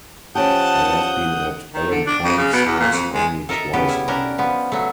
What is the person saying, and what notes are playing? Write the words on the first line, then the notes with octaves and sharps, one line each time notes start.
I have been at Ellen Pond's house only twice in my life.
F3 C#4 G4 F#5 A5 D#6 G6
D#3
D3
D4
F2
C#3
B2
E2
A#2
F2
G#3
A4 A#4 D#5 E5
C#3 B3 G4
E4
C#4 D4 G4 A#4
F3 B3
F#3 A3